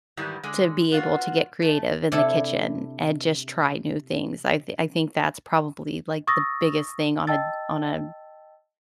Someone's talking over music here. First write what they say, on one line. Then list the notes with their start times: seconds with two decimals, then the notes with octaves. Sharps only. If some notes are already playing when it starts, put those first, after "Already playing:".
to be able to get creative in the kitchen and just try new things, I've I think that's probably, like, the biggest thing on a on a
0.17 G#2 D#3 E3 G3 E4
0.43 D3 G#3
0.92 B3 F4 F#4
1.62 A3
2.12 C3 D4 E4 A4
6.27 C#6 D#6 E6 A6 A#6
7.27 D#5 G5 A5 E6 A6